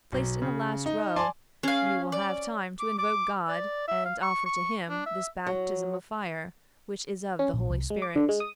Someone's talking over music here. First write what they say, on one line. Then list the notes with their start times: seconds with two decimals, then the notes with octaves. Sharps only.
Placed in the last row, you will have time to invoke God and offer to Him this baptism of fire, which is of the Holy Spirit.
0.12 B1
0.42 C#3
0.86 D#4
1.16 D5 G#5 A5 C6 D6
1.63 C#4 G#4 F5
2.12 D5
2.79 D6
2.98 D6
3.48 D5
3.87 E5
4.05 F5
4.22 C#6
4.46 C#6
4.89 D4
5.06 E5
5.47 F#3
7.39 C#4
7.54 A#1
7.70 C2
7.90 G#3
8.02 D6
8.16 D3
8.29 G#3
8.40 D#6